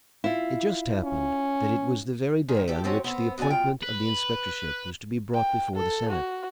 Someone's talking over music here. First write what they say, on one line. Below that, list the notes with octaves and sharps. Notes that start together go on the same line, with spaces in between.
It just happened that it was the very day on which the appointment of the inspectorship was to be brought before the senate.
E4 F4
C#4
A#2 D#3 G#4
G4 A4
D#3 F3 C4 C#4 F#4 C#5
B3 C4
F#3 B3 D#4 D5 G#5
F#2 F4 G5
B4
G5
A4
F#4